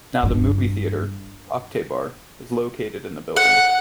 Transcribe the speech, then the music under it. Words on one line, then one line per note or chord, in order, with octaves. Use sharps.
Now the movie theater "Oktyabr" is located in the building.
G2 D4
F#5